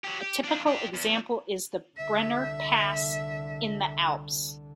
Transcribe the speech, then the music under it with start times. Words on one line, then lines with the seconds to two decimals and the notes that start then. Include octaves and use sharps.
A typical example is the Brenner pass in the Alps.
0.04 F#3 G4
0.21 G4
0.44 D4 F4
0.67 D4 G4
0.94 E2
1.97 C2 D3 E5